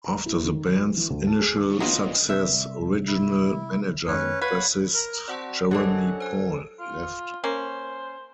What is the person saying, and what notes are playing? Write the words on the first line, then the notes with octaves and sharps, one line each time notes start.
After the band's initial success, original manager and bassist Jeremy Paul left.
A#5
E4
D#3
F#3
E3
D2
A5
G#4
D6
F#3 F4 B4 D#5
C3 G3 E5
E4
F#2 D#3 G#3 C#4 B4 C#5
B4 C#5 F5 F#5 B5 G#6
A#4
C4 F#4 D5 F#5 A5
F#3 C#4 D4 G4 A4 A#4 D#5 F#5
C5 G#5
F4
A#3 C#4 C5